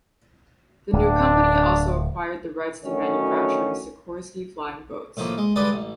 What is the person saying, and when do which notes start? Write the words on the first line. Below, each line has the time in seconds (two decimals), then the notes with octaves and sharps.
The new company also acquired the rights to manufacturing Sikorsky flying boats.
0.93 D1 D4
2.84 D2 D#3 F#3 C#4
5.17 A2 D#3 F3 A#3
5.38 G#3
5.56 G2 D3 G#3 B4 D5 D#6
5.73 A1